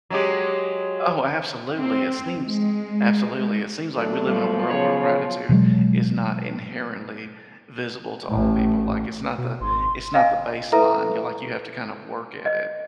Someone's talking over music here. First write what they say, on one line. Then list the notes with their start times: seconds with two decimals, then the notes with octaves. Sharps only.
Oh, absolutely. It seems absolutely, it seems like we live in a world where gratitude is not inherently visible to all people. Like, it's not the it's not the baseline. You like you have to kinda work it at,
0.10 F#3 G#3 G4
1.78 C4
2.44 G#3
3.97 F#3 A3 B3 D4
4.27 F3 G3
4.70 C#3 C#5
5.49 B2 E3 F#3 G#3
8.29 A1 A2
9.38 B2
9.61 G#1 C6
10.14 D#5 F5 G5 G#5
10.72 E4 A4 B4 E5 A#5
12.46 D#5